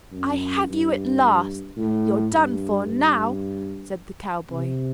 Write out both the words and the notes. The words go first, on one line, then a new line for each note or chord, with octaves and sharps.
"I have you at last; you're done for now!", said the cowboy.
F#2
G2
A2
G2
G2
C3